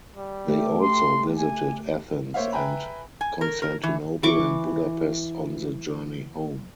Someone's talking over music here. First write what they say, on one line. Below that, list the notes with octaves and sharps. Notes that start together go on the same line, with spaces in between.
They also visited Athens and Constantinople and Budapest on the journey home.
G3
A3 G4
C6
G#5
A#3 C5 C#5 E5 F5
B4 E5 G5 G#5 A#5 B5
G#5
A#4
A#4
E3
E3 C#6 D6